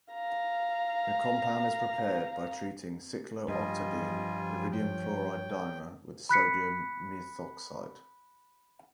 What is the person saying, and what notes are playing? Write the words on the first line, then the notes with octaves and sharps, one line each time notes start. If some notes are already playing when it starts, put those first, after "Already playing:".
The compound is prepared by treating cyclooctadiene iridium chloride dimer with sodium methoxide.
F5 A#5
G2 F3 G3 F4 D#5 G#5
C#5 G5
B5 F#6 B6 C#7